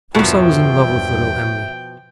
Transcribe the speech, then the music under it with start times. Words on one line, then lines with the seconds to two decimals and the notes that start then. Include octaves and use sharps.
Of course I was in love with little Em'ly.
0.15 E2 G2 B2 F3 A#4 C#5 E5 G5